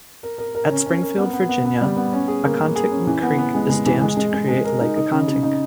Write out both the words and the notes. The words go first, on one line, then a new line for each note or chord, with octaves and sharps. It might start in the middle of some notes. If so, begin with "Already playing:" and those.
At Springfield, Virginia, Accotink Creek is dammed to create Lake Accotink.
A#4
A#4
A#4
C#4
C#4
A#4
B3
B3
B3
B3
G3
B3
C#4
G#4
A#3
A#3
G#4
C#4
E3
B3
B3
G#3
G#3
E3
G#3
G#3
G#3
G#3
A#4
D#4
D#4
C#3
C#3
D#4